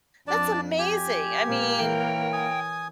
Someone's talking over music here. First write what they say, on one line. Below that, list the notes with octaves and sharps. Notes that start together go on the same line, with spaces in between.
that's amazing I mean
F2 D4 D5 A5
G4 G#5
A#2 G#3 A#3
E3 A#4 C#5 G5
G#5 D#6